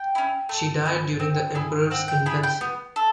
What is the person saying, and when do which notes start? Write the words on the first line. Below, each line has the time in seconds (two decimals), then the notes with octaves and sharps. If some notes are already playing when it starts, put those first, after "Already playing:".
She died during the Emperor's infancy.
Already playing: G5
0.15 C#4 E4
0.49 A3
0.85 C#4 E4
1.20 C4
1.55 E4 G#4
1.91 C4 F#5
2.08 G5
2.26 E4 G#4 B5
2.43 G5
2.61 B3
2.96 A4